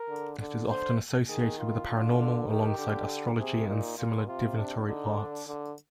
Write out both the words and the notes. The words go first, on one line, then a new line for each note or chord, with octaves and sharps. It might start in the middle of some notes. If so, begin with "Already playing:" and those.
It is often associated with the paranormal, alongside astrology and similar divinatory arts.
Already playing: A#4
D3
D3
D3 C5
D#3 G#4
F4
D3
D3
D#3 G4
D3
C3 G#4
A#2 D#4
A#2 F4
C3 F4
D4
D3 D#4
D4
D3